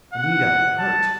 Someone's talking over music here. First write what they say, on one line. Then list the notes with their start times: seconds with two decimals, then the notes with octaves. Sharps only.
Anita hurt!
0.14 F#5
0.79 A5